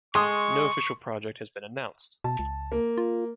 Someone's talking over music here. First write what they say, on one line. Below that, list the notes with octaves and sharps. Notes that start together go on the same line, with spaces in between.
No official project has been announced.
G#3 C6 C#6 D#6
B2 A5
C#2
A#3
F4